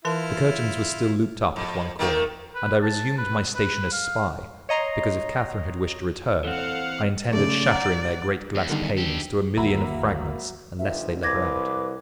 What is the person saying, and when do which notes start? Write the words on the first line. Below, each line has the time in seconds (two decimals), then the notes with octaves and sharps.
The curtains were still looped up at one corner, and I resumed my station as spy; because, if Catherine had wished to return, I intended shattering their great glass panes to a million of fragments, unless they let her out.
0.05 E3 E4 F4 A#4 A5
1.56 F2
1.99 D#3 A3 A#3
2.55 B4
2.82 A5
3.18 B4
3.55 B4
3.92 F5
4.69 C#5 D#5 A#5 C6
6.44 E3 C4 A4 F5 F#5
7.33 C#3 A3 D5
7.70 F#5 A#5
8.55 E2
8.70 D3 D#3 G3
8.98 G4 A4
9.57 G1 D#2 E3 F#3 A#3 E5 A#5 B5
10.79 F1 G2 E3 F3 E5
11.23 C2 B4 D6 G#6 A#6